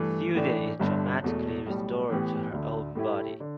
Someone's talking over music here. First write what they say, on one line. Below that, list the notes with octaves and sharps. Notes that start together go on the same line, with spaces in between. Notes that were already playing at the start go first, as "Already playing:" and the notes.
Susan is dramatically restored to her own body.
Already playing: G2 E3 A3
A2 E3 A3 D4
G1 G2 D3
E1 E2 B2 A3
B1 A2 G3
A2 E3 B3 G4
D2 D3 A3
A2 A3 E4 G4
D3